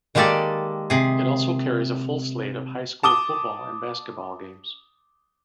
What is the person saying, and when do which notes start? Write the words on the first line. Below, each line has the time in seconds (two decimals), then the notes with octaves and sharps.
It also carries a full slate of high school football and basketball games.
0.15 D#3 G#3 A#3 G4 A4 D5
0.90 C3 G#4
3.03 A5 D6 D#6 G7